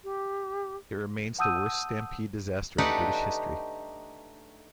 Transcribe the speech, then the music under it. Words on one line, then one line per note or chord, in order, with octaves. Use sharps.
It remains the worst stampede disaster in British history.
G4
F#5 A5 D#6 E6 G6 D#7
A3 D4 D#4 G4 B4 F#5